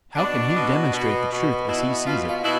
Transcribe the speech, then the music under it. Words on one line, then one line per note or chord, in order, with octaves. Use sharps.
How can he demonstrate the truth as he sees it?
B2 D4
B2
B2
B2
B2 E4
B2 F4
F4
B2 E4